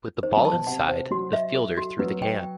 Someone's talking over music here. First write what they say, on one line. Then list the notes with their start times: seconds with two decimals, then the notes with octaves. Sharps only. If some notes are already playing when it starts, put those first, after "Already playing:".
With the ball inside, the fielder threw the can.
0.23 D#3 C5
0.37 F#3
0.45 A5
0.53 B2
0.67 C3 F#5
0.89 C5
1.11 F#3 F#4
1.33 E5
1.55 A4
1.77 F#4
1.99 F#3 B4
2.22 G5